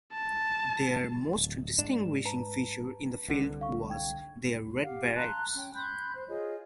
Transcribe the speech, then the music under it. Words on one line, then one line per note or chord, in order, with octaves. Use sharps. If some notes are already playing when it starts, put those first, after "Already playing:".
Their most distinguishing feature in the field was their red berets.
A5
D1
G#2 D4 E7
B4 A5 A#5
C2 D3
F5 C#6
G5 G#6
G4 F5 F#5
A5 A#5 C6 F#6
C#4 G5
B5 C6 F#6 G6
C5
F4 G#4 C#5 D#5